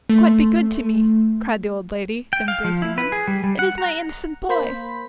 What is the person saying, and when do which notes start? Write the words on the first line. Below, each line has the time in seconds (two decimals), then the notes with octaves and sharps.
'God be good to me!' cried the old lady, embracing him; 'it is my innocent boy!'
0.09 A3 C6
2.33 G5
2.48 F5
2.64 F3
2.82 E4
2.98 B4
3.12 G#4
3.28 G3
3.44 G3
3.59 F#5
3.78 A#5
4.49 A#3 C5 B5 B6